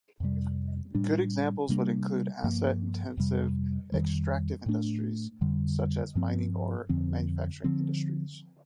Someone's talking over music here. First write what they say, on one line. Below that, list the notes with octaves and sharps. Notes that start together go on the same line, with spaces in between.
Good examples would include asset-intensive extractive industries such as mining, or manufacturing industries.
F2 C3 G3
A2 G3 D4
C3 G3 A#3 D4
G2 F3 A#3
F2 C3 G3
F2 D#3 G3
A2 A3 D4
F2 D3 G3
G2 F3 C4
F2 D3 F3 C4
D3 F3 C4